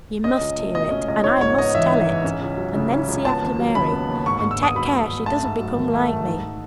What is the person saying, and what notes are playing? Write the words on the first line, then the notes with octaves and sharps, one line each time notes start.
You must hear it, and I must tell it; and then see after Mary, and take care she does not become like me.
C#4 D#5
C#2
A3
B2 D#5
C#4 D#5
C#2 D#5
D#4 C#5
G#2 C#5
B3 D#5
E3 E5
D#4
G#2
C#4
C#2
F#3
C#3
C#4
C#2
B3 A5
D#2
F#3
C#3 B5
B3
D#2
G#2 C#6
C#6
G#2
E6
B3 D#6
F#3 B5
G#2
G#2
A3 A5
G#2
F#3
D#3
A3
G#2
D#4